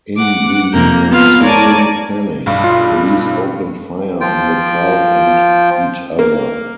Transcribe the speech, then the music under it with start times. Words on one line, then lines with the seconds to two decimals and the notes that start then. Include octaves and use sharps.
In the ensuing panic, police opened fire on the crowd and each other.
0.17 F#5 D6
0.73 F2 C3 A#3 A#5 G6
1.09 B3 F4 F5 C6
1.42 A#4 C#5 D5 G#5 A5
2.46 B1 G2
2.64 F4
4.21 F3 F4 G5
6.19 A#3